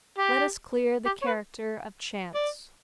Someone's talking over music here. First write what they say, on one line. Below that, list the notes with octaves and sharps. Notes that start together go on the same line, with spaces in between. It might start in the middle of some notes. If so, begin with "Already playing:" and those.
Let us clear the character of chance.
G4
G4
C#5
B4
D5